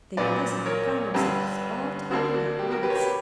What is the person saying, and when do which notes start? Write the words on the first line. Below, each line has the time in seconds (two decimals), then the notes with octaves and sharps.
They presently found themselves all talking at once.
0.17 A#1 A#2 F#3 B4 D5
0.66 A#4 C#5
1.14 G1 G2 D3 G4 B4
2.11 D2 D3 A#3 D4 F#4
2.34 F#4
2.59 G4
2.71 F#4 A#4
2.83 G4 B4
2.90 C#5
2.96 G4 B4